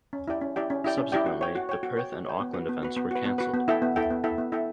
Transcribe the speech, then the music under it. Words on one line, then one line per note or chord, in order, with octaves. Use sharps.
Subsequently the Perth and Auckland events were cancelled.
C#4
E4 G4 D5 G5
C#4
E4 G4 D5 G5
C#4
E4 G4 D5 G5
C#4
E4 G4 D5 G5
F#4
C#5 G5
F#4
C#5 G5
F#4
C#5 G5
F#4
C#5 G5
B3
F#4 B4
B3
F#4 B4
B3
F#4 B4
B3
F#4 B4
B3
E4 A4 E5 G5
B3
E4 A4 E5 G5
B3
E4 A4 E5 G5
B3
E4 A4 E5 G5